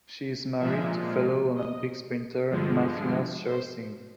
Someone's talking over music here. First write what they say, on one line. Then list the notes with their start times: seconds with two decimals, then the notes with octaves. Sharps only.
She is married to fellow Olympic sprinter Mathias Schersing.
0.60 A#2 F3 G#3 E5
1.55 D#5
2.50 G2 D3 F3 G#3
3.46 C5